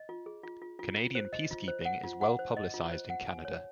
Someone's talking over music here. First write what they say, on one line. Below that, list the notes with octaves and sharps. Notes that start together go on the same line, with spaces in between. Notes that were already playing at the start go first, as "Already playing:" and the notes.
Canadian peacekeeping is well publicised in Canada.
Already playing: D#5
F4
G#4
F4
F4
F4
F4
C5
D#5
F4
C5
F#5
F4
F#5
C5
D#5
F4
C5
F#5
G#5
C#5